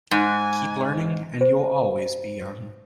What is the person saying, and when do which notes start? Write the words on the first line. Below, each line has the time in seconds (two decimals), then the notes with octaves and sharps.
Keep learning and you'll always be young.
0.11 G#2 G#5
1.41 C5